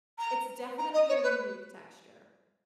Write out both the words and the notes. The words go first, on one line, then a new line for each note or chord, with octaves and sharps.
It's definitely a unique texture.
A#5
A#5
D#5
C#5
B4